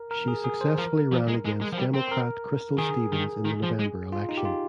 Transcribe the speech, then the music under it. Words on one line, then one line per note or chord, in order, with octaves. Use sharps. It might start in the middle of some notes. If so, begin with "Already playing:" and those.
She successfully ran against Democrat Crystal Stevens in the November election.
Already playing: A#4
A#4
G#4
G#4
C5
F3 A#4
F3
G#3
G#3
G#3
F3
G3
C4
A#4
D#3 G#4
D#3
D#3
F3
G#3
F4
D#4
G4
F4